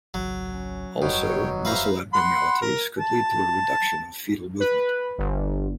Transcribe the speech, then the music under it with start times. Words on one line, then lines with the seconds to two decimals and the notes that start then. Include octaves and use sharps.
Also muscle abnormalities could lead to a reduction of fetal movement.
0.14 G#1 C#2 F#3
0.51 C#4
1.02 F1 G2 B2 F#3 C#5 G5
1.65 B4 C5 E5 F5 A#5
2.14 F#5 B5 C6
2.62 A#4
2.99 A5
4.60 B4
5.18 G1